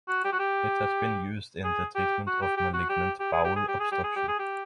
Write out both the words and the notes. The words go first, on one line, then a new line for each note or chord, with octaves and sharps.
It has been used in the treatment of malignant bowel obstruction.
F#4
G4
F#4
G4
G#4
G4
F#4
G4
G4
F#4
G4
G4
G#4
G4
G#4
G4
G#4
G4
G#4
G4
G#4
G4